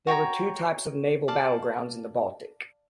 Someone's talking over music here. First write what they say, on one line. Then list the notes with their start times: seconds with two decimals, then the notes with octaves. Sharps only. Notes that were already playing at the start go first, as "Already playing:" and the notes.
There were two types of naval battlegrounds in the Baltic.
0.07 F#4 C#5 G5 A#5
1.28 D5 F5 A5